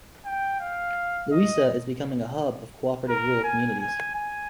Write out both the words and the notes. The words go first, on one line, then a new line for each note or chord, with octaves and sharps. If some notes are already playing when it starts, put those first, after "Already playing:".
Louisa is becoming a hub of cooperative rural communities.
G5
F5
D#5
A#4
G#5
G#5
G#5